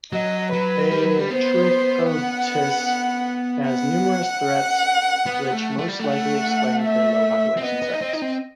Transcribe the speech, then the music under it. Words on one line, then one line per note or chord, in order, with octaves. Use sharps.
"A. trichotis" has numerous threats, which most likely explains their low population size.
F#3 D#5
F#3 B4
G3
F#3
G3
B3 C5
F#5
F#5
B3
A3
A3
G3
A3
F#5
E5
C4
B3 D#5
B3
D#4
C4
D#4
C4